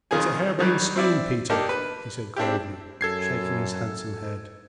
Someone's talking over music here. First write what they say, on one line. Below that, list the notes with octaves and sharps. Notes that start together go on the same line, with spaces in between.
"It's a harebrained scheme, Peter," he said gravely, shaking his handsome head.
F2 D#3 F4 G#4 G#5
D#3 F#3 G3
C4 E4 D5
A#3 D4 D#4 G4 A4
B4
C4 D4 E4 G4
F#2 A4 G#6 C7